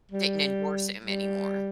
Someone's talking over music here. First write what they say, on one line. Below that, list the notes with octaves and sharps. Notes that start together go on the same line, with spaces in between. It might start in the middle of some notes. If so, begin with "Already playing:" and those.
Didn't endorse him anymore.
G3
G3